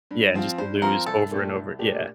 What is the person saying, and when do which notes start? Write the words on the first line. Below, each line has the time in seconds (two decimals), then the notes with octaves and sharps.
Yeah, and just to lose over and over, yeah.
0.11 G2
0.34 F3 C4 F4
0.58 G2 C5
0.82 F3 C4 F4 A#4
1.06 C2 A4
1.31 A#2 A3 D4 G4
1.55 C2
1.79 A#2 A3 D4 G4